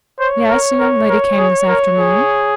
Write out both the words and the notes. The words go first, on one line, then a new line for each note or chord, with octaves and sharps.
"Yes; a young lady came this afternoon."
C5 C#5
A#4
A#4
A#4
G#4
A#4
G#4